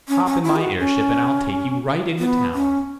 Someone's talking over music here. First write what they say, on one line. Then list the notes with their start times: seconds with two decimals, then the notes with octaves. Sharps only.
Hop in my airship and I'll take you right into town.
0.09 C#4
0.26 C#4
0.44 E4
0.56 G#4
0.61 F#4
0.79 C#4
2.19 B3
2.54 C#4